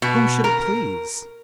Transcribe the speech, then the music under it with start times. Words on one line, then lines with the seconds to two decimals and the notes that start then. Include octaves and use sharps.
Whom should it please?
0.02 B2
0.44 A#4